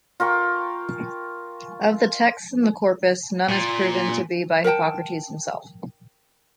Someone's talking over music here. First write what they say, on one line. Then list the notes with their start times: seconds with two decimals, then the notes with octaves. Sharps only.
Of the texts in the corpus, none is proven to be by Hippocrates himself.
0.20 F4 A#4 G5 C#6
3.49 A#2
4.64 A#4 F#5 G5 A5